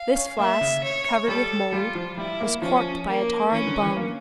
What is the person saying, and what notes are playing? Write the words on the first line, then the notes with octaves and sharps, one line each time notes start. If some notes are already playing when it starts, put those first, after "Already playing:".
This flask, covered with mould, was corked by a tarred bung.
Already playing: F5
C#4
A#3 E5
C#3
C#5
G3 A4
G3 F4
F3
G3 E4
A#3
F3 C#4
A#3
E3 C#4
D3
E3
A#3